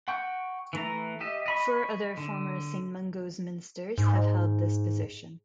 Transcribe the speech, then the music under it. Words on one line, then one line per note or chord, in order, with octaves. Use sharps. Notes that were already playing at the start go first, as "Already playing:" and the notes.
Four other former Saint Mungo's ministers have held this position.
F#5 G5 C#6 G6
E3 A3 A#5
G4 D#5 E5
D#5 B5 C#6
D3
G#2